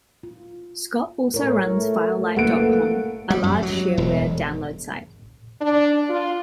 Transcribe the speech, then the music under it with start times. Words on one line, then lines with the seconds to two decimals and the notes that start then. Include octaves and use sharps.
Scott also runs FileLight dot com, a large shareware download site.
0.23 F4
1.34 A2 A#4 C#5
1.77 A3
2.36 F#1 A3 A#3 B4 F#5 D7
3.30 G3
3.44 F#2
3.62 F#3
3.97 E1
5.62 D4
6.10 F4